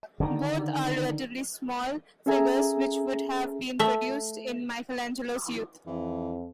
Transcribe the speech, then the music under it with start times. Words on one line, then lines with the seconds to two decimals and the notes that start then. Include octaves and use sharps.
Both are relatively small figures which would have been produced in Michelangelo's youth.
0.20 D3 D#3
2.26 C#4 G#4 A4 E5 G#5 A#5
3.79 A3 E5
5.87 F2 E3